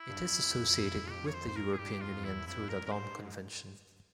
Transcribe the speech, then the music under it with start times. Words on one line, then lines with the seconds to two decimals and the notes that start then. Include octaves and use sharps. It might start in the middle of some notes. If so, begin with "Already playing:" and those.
It is associated with the European Union through the Lome Convention.
Already playing: E4
0.09 G2
0.26 F2
1.10 G4
1.26 C#5
1.34 C5
1.48 C5
1.56 A#4
1.73 G#4
1.79 G2 G4
2.01 F2 F4
2.24 E2 E4
2.47 F2 E4
2.69 F2 A#4
2.86 A#4
2.92 G2 C5
3.15 G#2